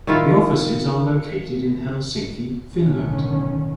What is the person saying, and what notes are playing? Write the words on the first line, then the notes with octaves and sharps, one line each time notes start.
The offices are located in Helsinki, Finland.
D#3 E4 F4
B1 A2 D3 D#3 C#4